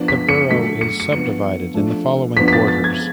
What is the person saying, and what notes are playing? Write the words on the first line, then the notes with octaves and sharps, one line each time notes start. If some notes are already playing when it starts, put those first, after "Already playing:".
The borough is subdivided in the following quarters.
Already playing: F3 B3 D4
B6
C#7
D3 F#3 A3 B6
C#7
C#7
F3 B3 D4 C#7
F3 A3 D4
F3 B3 D4 B6
B6
A6
A6
G#6